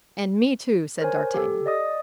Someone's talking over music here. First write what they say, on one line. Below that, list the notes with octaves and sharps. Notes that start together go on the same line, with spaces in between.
"And me, too!" said d'Artagnan.
A#4 C5 C#5 G#5
G4 A4
D5 D#5 D#6